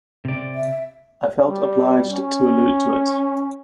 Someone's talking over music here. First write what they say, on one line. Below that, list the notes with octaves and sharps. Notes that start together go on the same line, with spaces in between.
I felt obliged to allude to it.
C3 D5
E5
G3
C#4